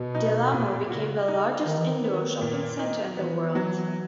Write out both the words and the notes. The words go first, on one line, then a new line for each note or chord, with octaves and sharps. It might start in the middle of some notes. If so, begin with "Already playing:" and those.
Del Amo became the largest indoor shopping center in the world.
Already playing: B2 B3
D#4
A#2
C#3 F#4
D#4
D#3 D#4
E3
D#3
B3
A#2
D#4
E3 B3
F#3